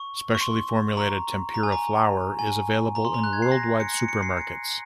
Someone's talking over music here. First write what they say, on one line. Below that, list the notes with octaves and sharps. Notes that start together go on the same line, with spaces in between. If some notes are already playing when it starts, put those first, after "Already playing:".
Specially formulated tempura flour is available in worldwide supermarkets.
Already playing: C#6
C#6
C6
A#5
A#5
G#5
A#5
G#5
A#5
C6
A#5
F#6
G#6
C7
A#6
C#7
C#7
C#7
C7
C#7